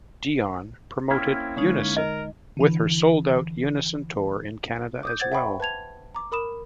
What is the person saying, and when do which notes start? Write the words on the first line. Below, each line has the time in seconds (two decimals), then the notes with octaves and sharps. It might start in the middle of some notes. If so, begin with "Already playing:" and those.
Dion promoted "Unison" with her sold-out Unison Tour in Canada as well.
1.11 A#3 C4 C#4 E4
1.56 D3 G#3 D#4 C#5
1.97 A#4 D#5
2.57 D3 E3
5.03 D6 D#6 G6
5.20 C5 F#5 G#6 A6
5.32 E5 F#5 G5 B5 C#6
5.60 B4 A5 G#6 F7
6.15 A#5 D6
6.32 A#4 B5 D#6 E7